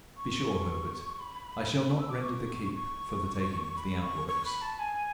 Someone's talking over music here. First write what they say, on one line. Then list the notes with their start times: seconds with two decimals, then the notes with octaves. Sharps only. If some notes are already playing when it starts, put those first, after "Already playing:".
Be sure, Herbert, I shall not render the keep for the taking of the outworks.'
0.17 C#6
1.19 B5
1.98 E6
2.10 D6
2.22 C#6
2.74 C#6
3.77 B5
4.02 C#6
4.28 C#6
4.45 B5
4.62 A5
4.79 G#5